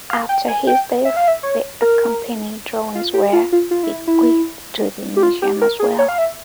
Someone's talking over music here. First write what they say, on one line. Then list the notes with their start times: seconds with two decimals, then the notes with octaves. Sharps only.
After his death, the accompanying drawings were bequeathed to the museum as well.
0.10 F5
0.29 G5
0.48 G#5
0.67 G5
1.05 E5
1.17 F5
1.28 E5
1.43 C#5
1.81 A#4
2.95 F4
3.14 G4
3.33 F4
3.52 F4
3.71 F4
3.83 E4
4.07 E4
5.16 G4
5.23 F4
5.42 G4
5.62 A#4
5.80 G#4
5.99 C#5
6.08 F5
6.18 E5